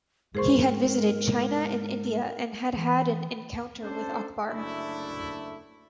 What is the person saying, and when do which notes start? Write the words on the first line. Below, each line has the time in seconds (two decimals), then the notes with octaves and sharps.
He had visited China and India, and had an encounter with Akbar.
0.35 G#2 A#3 G#4 A#4 C5 C6 C#6
2.76 E3
3.82 C#4 D4 A4 C5
4.48 F#1 D2 A3 D4 E4